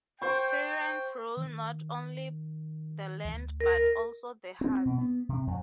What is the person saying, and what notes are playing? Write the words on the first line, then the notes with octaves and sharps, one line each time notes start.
Tyrants rule not only the land, but also the hearts.
C5 G5 C#6
D#3
D2
A#4
C4
B2
B3
C3
F2